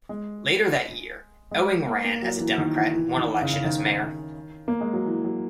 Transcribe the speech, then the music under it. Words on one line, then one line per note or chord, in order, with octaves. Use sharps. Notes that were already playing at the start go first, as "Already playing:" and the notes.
Later that year Ewing ran as a Democrat and won election as mayor.
G#3
G#3
A#3
A#3
F#3
E3
D#3
E3
E3
D#3
C#3
C#3
D#3
A#3
G#3
F#3
E3
F#3